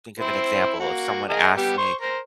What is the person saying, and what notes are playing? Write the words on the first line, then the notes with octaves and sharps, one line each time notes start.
think of an example. If someone asked me,
C4 E4 C5
A#3 F#4
G#4 A#4 D#5
G3 B3 G4
C5 C6 C#6
A#4 C5